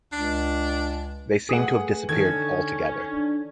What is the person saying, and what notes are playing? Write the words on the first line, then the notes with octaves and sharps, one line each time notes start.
They seemed to have disappeared altogether.
C#2 D4
A3 G#4 B4 F#5 G#5 D#6
D3 D#3 C#4 A4 G#6
D4